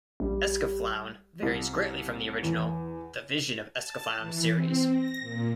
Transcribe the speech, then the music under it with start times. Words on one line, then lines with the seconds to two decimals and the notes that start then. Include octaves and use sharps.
"Escaflowne" varies greatly from the original "The Vision of Escaflowne" series.
0.20 A#1 G3
1.42 C2
2.43 E2
3.73 A5
4.18 E3
4.53 C4
4.90 A#6
5.20 A#2